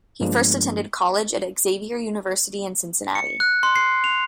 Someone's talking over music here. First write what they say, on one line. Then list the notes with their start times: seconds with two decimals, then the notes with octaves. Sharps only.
He first attended college at Xavier University in Cincinnati.
0.21 G2 F3 G#3 A#3 B3 D4
3.15 C#7
3.40 F#6
3.63 C6
3.76 C7
4.04 F7